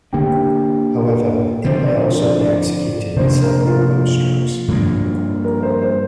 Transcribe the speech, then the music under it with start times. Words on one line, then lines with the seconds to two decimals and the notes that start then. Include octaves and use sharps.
However, it may also be executed with separate bow strokes.
0.13 D3 A#3 D4 G4
1.64 D3 F3 C4 C5
1.84 D5
2.03 C5
2.22 D5
2.41 D5
3.16 C3 F3 A#3 D4 C5
3.42 A#4
3.67 F4
4.68 G2 F3 A#3 D4
5.44 A#4
5.63 C5
5.82 C5